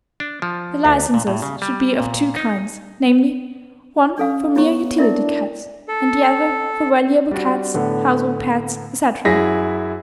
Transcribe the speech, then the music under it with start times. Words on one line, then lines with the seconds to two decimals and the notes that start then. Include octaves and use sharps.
The licences should be of two kinds, namely:--one for mere utility cats, and the other for valuable cats, household pets, etc.
0.20 D4
0.42 F3
0.85 D2
1.14 A#2
1.27 A2
1.42 C#3
1.62 G3
2.00 A#2
2.36 D#4
4.18 C#4 D4 A4 F5
4.56 B3 E4 C#5 C#6
4.98 D4 E4 A#4 E5
5.88 A4
7.31 G3 D4 F#4
7.74 A2 D3 B3
9.25 F#2 E4 G#4 A#6 B6